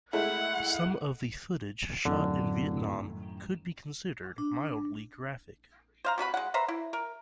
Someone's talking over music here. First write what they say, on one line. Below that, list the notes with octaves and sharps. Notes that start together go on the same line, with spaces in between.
Some of the footage shot in Vietnam could be considered mildly graphic.
G#3 A3 E4 F#5
D1 F#2 A2 D3 D#3
D4
C5 F5 A#5
C3 F#4 B4 B5
G#3 F#5
B4 C5 E5 A#5
E4
A#4